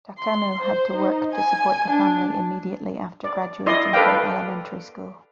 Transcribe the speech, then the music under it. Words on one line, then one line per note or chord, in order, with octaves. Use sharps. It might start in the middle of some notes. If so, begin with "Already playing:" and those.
Takano had to work to support the family immediately after graduating from elementary school.
C6
C5
D#4
G#5
D4
D5
E4 D5 D#5 C6
A4 B4 D5 F5 G5